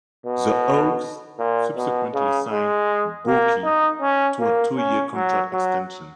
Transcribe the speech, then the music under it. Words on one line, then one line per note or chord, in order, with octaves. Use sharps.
The Hawks subsequently signed Bourque to a two-year contract extension.
B2
A#2
B2
C#3
G#3
A#3
D#4
C#4
A#3
C#4
F#3
F#3